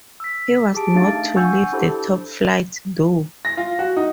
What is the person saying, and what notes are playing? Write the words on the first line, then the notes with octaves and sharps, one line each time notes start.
He was not to leave the top flight, though.
E6 B6
G4 G#4 A5 D7
A3 D4 D#4 F5 A6
F#5 G#5 C#6 E6 G6 G#6
D4 E4 G4 A4 C5
A#6
F4
F#4
D#4